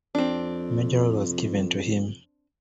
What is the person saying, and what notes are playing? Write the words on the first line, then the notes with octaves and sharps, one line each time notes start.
Major role was given to him.
F2 C4 D4